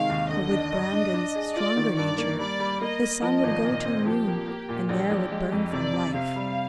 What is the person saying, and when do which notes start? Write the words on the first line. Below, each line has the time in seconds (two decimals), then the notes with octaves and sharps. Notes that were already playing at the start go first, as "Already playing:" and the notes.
But with Brandon's stronger nature the sun would go till noon and there would burn for life.
Already playing: C3 D#3 G#3 F5
0.09 D#2
0.30 D3 D#5
0.51 D4
0.72 G2
0.93 D4
1.13 D4
1.35 G#4
1.56 F4 D5
1.76 D#3
1.97 G2 D5
2.18 A#3
2.39 G3 D5
2.60 G3
2.81 A#3 D#5
3.02 A#3
3.22 F3 D#5
3.43 G#1
3.65 A#2
3.85 C4
4.05 F3 G4
4.27 A#3
4.48 A#3
4.69 A#2
4.89 A#1 G4
5.11 A#1
5.32 G#3
5.52 F2
5.72 C3 D5
5.93 C3
6.14 C3 F5
6.36 G3